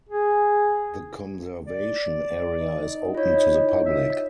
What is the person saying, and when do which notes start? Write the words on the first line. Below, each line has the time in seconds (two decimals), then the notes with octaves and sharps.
The conservation area is open to the public.
0.09 G#4
1.67 D5
2.58 D#4
3.15 E4 F4 C#5
3.86 E5